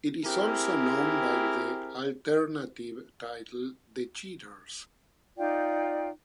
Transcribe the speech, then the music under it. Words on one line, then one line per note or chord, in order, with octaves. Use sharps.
It is also known by the alternative title The Cheaters.
C4 E4 G4 G#4 A#4
D#4 F4 D5 G5